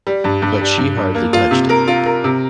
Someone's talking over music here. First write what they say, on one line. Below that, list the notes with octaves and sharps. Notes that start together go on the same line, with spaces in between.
But she hardly touched it.
G3
G2
G2
G3
G2
G2
A#3
F4
C3
A#4
F4
A#4
C3